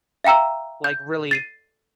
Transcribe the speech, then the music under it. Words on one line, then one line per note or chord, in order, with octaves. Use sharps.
like really
E5 F5 G5 A#5 E6
G6
A6 C7 D#7